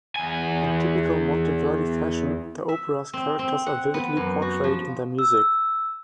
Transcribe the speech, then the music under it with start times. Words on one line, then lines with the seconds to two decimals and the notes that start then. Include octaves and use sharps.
In typical Monteverdi fashion the opera's characters are vividly portrayed in their music.
0.16 E2 G#5
2.69 E5
3.13 C4
3.39 C4
3.66 F#5
3.94 B3
4.17 F#2
4.42 F#4
4.64 F3
5.19 E6